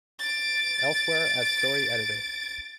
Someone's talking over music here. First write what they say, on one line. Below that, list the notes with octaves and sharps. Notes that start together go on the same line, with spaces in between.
Elsewhere as story editor.
A6 D7